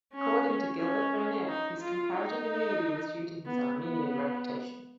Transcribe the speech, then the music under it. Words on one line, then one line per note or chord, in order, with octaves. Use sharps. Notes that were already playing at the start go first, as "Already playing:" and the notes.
According to Gilbert Burnet, his comparative immunity was due to his Arminian reputation.
C#4
C#4
D#4
F4
D#4
B3
B3